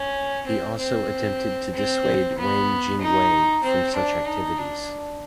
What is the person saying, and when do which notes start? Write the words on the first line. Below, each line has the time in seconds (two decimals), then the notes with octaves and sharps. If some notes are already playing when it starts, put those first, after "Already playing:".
He also attempted to dissuade Wang Jingwei from such activities.
Already playing: C#4
0.47 C4
0.78 C4
1.74 C4
2.37 B3
3.01 D#4
3.63 C4
3.95 D4
4.27 D#4
4.58 D4